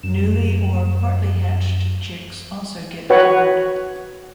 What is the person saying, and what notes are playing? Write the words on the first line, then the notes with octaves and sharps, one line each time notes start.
Newly or partly hatched chicks also get covered.
F#2 E7
F#4 B4 C#5 F#5